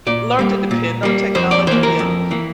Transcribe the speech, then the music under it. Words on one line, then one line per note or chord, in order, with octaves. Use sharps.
learn to depend on technology. And,
A#2 D5
G3 A#3
A#2
G3 A#3
F2 C5
D5
E3 A#3 C5
A#4
F2
E3 A#3